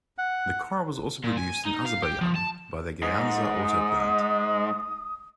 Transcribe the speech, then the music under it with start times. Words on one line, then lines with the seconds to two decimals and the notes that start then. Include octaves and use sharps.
The car was also produced in Azerbaijan by the Gyandzha Auto Plant.
0.18 F#5
1.24 A#2
1.37 G#5
1.65 D#4
1.85 F5
2.03 G4
2.21 F3
2.36 A5
3.02 G#2 D#6